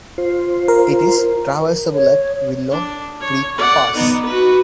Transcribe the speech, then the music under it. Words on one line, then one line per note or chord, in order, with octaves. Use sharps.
It is traversable at Willow Creek Pass.
F4 C5
A#4
C#5
D4
C#5
D5 F#5
B3 D#4
F#4 B4